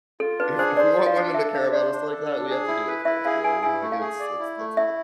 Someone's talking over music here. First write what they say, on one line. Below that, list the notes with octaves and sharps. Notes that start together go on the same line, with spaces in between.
If if we want women to care about us like that, we have to do it first," you know what I mean? Like, it's it's that's
F4 A4
D4 B4
G#4 C5
C5 D5
F4
F5
D4
A4 E5
D4 F5
C5 D5
D4
A4
D4
G#4
E4
B4
E4 E5
G#4 F5
E4 G#5
E4 G#5
A3
F5
G#4
D5
E4
A3
E4 E5